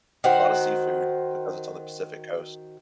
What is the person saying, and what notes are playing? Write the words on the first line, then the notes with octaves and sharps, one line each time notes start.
lotta seafood because it's on the Pacific Coast.
D#3 F#4 C5 F#5